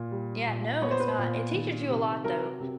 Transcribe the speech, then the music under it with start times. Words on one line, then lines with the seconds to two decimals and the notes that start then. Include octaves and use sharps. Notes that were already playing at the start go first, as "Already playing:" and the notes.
yeah, no, it's not it teaches you a lot, though.
Already playing: A#2
0.11 G3
0.46 A#2
0.82 B3 C#5
0.91 C5
1.00 B4
1.08 C5
1.18 A#2
1.54 D#3
1.89 C3
2.24 F#3 A#4
2.60 C3